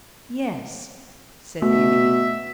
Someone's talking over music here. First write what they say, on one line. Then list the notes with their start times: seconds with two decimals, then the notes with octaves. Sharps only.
"Yes," said Beauty.
1.62 B2 A3 E5